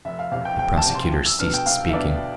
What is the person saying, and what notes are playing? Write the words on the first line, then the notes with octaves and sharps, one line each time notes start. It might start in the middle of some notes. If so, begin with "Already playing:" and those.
The prosecutor ceased speaking.
F1 E5
F5
E2 C3 F5
G5
F1 G5
A5
E2 C3
C6
C2
E6
B2 B3 D4 F6
G5
C2 F5
E5
B2 B3 D4 D5